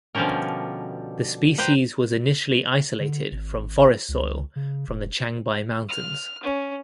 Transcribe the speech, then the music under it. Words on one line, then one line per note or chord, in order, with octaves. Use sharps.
The species was initially isolated from forest soil from the Changbai Mountains.
B2 D3 F3 G3 C#4 A#4
B4 C5 G5 A#5
D3
G#1
C#2
C#3
E1
F6
C#4